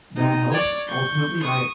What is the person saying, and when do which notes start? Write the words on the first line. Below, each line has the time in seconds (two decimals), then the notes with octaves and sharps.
that helps ultimately. I
0.16 D#4
0.52 C#5 D5
0.88 C#6 G6
1.40 C#6 D#6